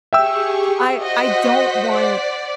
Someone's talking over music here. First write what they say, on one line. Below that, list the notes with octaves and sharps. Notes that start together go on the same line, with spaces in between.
I I don't want
G4 G#4 E5 G5 C#6 E6
F#4 C5 D#5 F#5 B6
D5